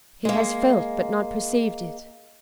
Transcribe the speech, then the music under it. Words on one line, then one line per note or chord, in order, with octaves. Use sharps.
He has felt but not perceived it.
G#3 A#3